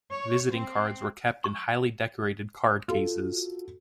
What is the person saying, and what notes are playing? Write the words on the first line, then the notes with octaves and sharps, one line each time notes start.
Visiting cards were kept in highly decorated card cases.
C#5
C4
C#6
F4 F#4 A4